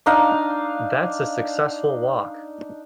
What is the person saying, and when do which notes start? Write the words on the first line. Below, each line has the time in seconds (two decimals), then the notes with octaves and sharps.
That's a successful walk!
0.06 D4 D#4 F5